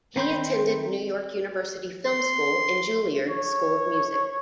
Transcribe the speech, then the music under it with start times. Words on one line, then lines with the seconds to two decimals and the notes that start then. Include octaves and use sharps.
He attended New York University Film School and Juilliard School of Music.
0.16 D#3 C4 B5 C6 G6
2.06 C6
3.30 C#5